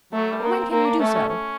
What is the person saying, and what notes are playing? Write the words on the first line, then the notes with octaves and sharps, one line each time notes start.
"When can you do so?"
F#3 A3
G3
A#3 B3
C4
A#3 C4
D4
A3 C#4
C#4
C#4